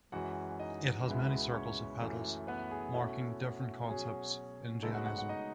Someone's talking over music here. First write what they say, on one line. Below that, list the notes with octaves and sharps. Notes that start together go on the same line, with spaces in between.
It has many circles of petals marking different concepts in Jainism.
F#2 E3 G#3 F#4 F#5
D#4 D#5
C#2 B2 G#3 B3 E4
C#4 C#5
F#2 E3 A3 E4
B3 B4
G#4
B2 A3 C#4 E4 F#4
B2 F#3 C#4 G#4
C#3 G#3 A3 B3 D#4 A4
F#4 F#5
F#4 F#5
F#4 F#5
D#4 D#5